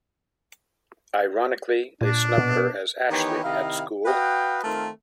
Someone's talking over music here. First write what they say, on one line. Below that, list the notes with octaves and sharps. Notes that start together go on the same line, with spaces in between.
Ironically they snub her, as Ashley, at school.
A#2 D4
B2
D#3 E3 B3 D#4 G4 C#5
C3 D#3 E4 D#5 F5
F#4 B4 D#5 F5 G5
D#3 A3 C4 F4 A4 A#4